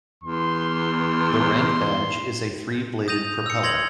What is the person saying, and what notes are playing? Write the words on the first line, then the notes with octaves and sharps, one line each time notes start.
The rank badge is a three-bladed propeller.
E2 C6
D#6 G6 A#6 D#7 F7
E6 C#7
C6 G#6 A#6 F7 F#7